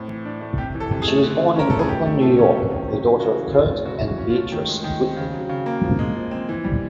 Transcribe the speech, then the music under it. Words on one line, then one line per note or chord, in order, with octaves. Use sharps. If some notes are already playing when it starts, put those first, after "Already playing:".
She was born in Brooklyn, New York, the daughter of Kurt and Beatrice Gutmann.
Already playing: A2 C4
E3
D4
A3
C3 G4
E3
A4
C3
G#4
A3
D3
F3
C#4 A#4
A3 A4
G#4
F3 G4
A3
F3 A4
C#4
C3
D#3
C3
F#3
C#3 F#4
E3
C4 F4
A3
C#3 F#4
E3
F#4
C#4
F4
A3
D#3
G#3
D#3
C4
C#3
F#3
C#3
A#3
F3
G#3
F3
C4
E3
G3